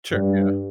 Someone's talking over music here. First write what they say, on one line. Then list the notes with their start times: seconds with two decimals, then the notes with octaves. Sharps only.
Sure, yeah.
0.13 G2